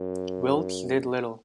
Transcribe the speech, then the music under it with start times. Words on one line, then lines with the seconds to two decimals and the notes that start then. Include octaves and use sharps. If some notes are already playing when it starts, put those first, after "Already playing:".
Wilkes did little.
Already playing: F#2